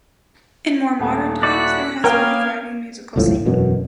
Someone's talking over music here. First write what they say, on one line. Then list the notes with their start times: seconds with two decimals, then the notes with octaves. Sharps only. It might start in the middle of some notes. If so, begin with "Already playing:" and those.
In more modern times there has been a thriving musical scene.
1.00 D#1 A3
1.43 E4 F#4 D5 F#6 B6
2.04 A#3 B3 C#4 A#4 F5 G5 G#6
3.16 G1 C#2 A2 F3
3.46 E1 F#2 B2